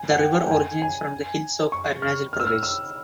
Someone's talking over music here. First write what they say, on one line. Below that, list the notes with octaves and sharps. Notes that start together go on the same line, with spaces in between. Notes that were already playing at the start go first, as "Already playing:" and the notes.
The river originates from the hills of Arunachal Pradesh.
Already playing: G#5
F#5
G5
G5
G#5
G#5
C#6
F6
F6
E6
F6
E6